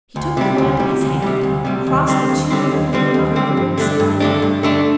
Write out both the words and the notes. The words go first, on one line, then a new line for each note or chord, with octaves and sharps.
He took the lamp in his hand, crossed the two intervening outer rooms, and opened it.
D2
C3 G3
D2
C3 G3
D2
C3 G3
D2
C3 G3
D#2
D3 G3 C4
D#2
D3 G3 C4
D#2
D3 G3 C4
D#2
D3 G3 C4
G2
D3 A3 D4
G2
D3 A3 D4
G2
D3 A3 D4